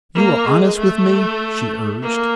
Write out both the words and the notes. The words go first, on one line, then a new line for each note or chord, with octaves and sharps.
"You are honest with me?" she urged.
A#3
G#3
A3
A#3